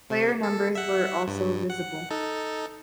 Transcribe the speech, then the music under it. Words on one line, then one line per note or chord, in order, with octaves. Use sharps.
Player numbers were also visible.
C3
A4
E5 F#5
G2
F#5
D#4 A4